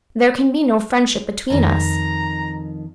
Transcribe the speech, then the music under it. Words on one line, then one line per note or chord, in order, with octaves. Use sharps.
There can be no friendship between us.
F2 D#3 A#5